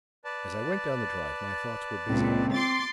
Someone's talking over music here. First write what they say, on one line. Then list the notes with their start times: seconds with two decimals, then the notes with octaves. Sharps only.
As I went down the drive, my thoughts were busy.
0.25 B4 D5 A5
2.09 C#2 A#2 C4
2.52 C6 D6 A6